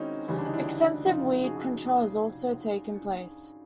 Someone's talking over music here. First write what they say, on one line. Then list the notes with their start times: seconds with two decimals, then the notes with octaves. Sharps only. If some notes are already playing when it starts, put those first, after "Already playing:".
Extensive weed control has also taken place.
Already playing: D#3 G#3 C4 C#4 D#4 E4 F#4
0.28 D2 C#3 E3 G3 C#4 D#4
0.38 D4
0.46 D#4
0.53 D4 E4
0.79 D4 E4
1.05 F1 F2 C#3 D#4 F4
1.43 F#4 G#4